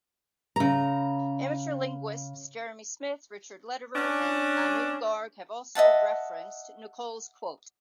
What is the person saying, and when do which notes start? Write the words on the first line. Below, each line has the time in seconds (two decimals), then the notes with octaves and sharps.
Amateur linguists Jeremy Smith, Richard Lederer, and Anu Garg have also referenced Nicoll's quote.
0.56 C#3 A#5
3.94 C#4 D4
5.75 D#5 E5 F#5 A5